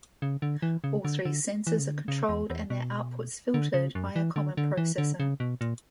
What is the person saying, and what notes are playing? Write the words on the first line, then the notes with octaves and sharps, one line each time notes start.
All three sensors are controlled and their outputs filtered by a common processor.
C#3
D3
E3
C#3
D3
D3
E3
C#3
D3
C#3
E2
E2
B2
D3
C#3
F#2
E3
D3
D3
E3
D3
C#3
B2
A#2